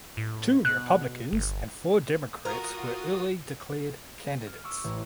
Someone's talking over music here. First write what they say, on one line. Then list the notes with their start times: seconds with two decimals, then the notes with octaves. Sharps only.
Two Republicans and four Democrats were early declared candidates.
0.17 A2
0.65 B2 F#6
1.33 G1
2.45 F4 F#4 A#4 D#6
2.76 F4
4.47 F6
4.64 C#6 D6 E6
4.84 A1